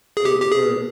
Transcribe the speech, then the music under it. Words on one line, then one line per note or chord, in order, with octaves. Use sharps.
and for
G#4
G4
G4
G#4